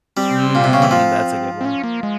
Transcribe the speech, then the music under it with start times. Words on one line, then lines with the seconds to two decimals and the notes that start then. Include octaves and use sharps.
Mm. That's a good one.
0.17 G3 C4
0.55 A#2
0.64 C3
0.73 C#3
0.82 E3
0.91 F3
1.61 C4
1.65 C#4
1.84 A#3
2.03 G#3